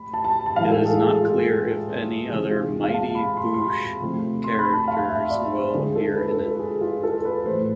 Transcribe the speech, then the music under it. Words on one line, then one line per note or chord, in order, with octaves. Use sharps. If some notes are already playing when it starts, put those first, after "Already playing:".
It is not clear if any other "Mighty Boosh" characters will appear in it.
Already playing: A3 B5
A5
A5
A5
A2 E3 G#3 F5
A4
G#4
G#4
F4
C3 E3 G#3 G#4
F4
G#4
F5
A5
B5
C6
C6
B5
C3 F3 A3
C6
B5
A5
F5
E5
D5
C5
D3 G#3 G#4
A4
B4
A4
F4
G#4
F4
A4
B4
A2 E3 A3 C5